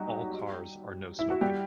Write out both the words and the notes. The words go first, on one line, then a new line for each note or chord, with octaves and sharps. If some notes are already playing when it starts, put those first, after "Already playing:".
All cars are no smoking.
Already playing: F#3 G3 D#4 F#4 G4
E4
F#4
G3 G4